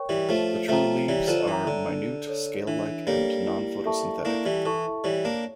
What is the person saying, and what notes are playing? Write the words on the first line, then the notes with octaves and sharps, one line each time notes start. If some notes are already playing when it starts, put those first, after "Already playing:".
The true leaves are minute, scale-like and non-photosynthetic.
Already playing: A#4 C#5 G5 C#6
E3 G3
F3 A3 C#5
F3 A3 E5 G5 A#5
E3 G3 C#5
D3 F3
E3 E5 G5 A#5
D3
D4
A4 C#5
E3 D4
G3 A#3 A4 C#5
E4
A4 E5 A5 C#6
A#3 D4 E4
E3 G3
E3 A4 E5 A5 C#6
E3 G3 C#5
A#3 D4